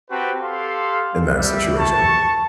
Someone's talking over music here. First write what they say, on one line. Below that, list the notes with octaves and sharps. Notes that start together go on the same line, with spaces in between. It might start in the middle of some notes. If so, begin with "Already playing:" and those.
in that situation.
C4 F#4 G4 B4 G5 A5
G4 A4 F5 C6
G3 E5
A5 C#6